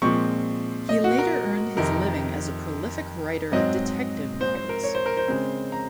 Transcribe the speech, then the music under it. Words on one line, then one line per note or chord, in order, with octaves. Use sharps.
He later earned his living as a prolific writer of detective novels.
A#2 F3 G#3 C4 C#6
D#5
F#4
A#4
F2 C3 D#3 A#4
G#2 F#3 C4 D#5
C5
C5
A#4
C#5
C5
A#4
C5
C#3 G#3 C4
A#5